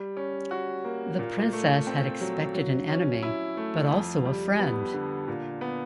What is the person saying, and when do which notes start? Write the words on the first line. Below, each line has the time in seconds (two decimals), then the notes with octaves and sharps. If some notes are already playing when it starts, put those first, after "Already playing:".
The Princess had expected an enemy, but also a friend.
Already playing: G3
0.17 C#4
0.51 F#4
0.85 A#3
1.19 A#2
1.53 A3
1.87 C4
2.21 F#3
2.55 F#3
2.89 C#4
3.23 E4
3.57 A3
3.91 F2
4.25 G3
4.59 B3
4.94 D3
5.28 A#2
5.61 B3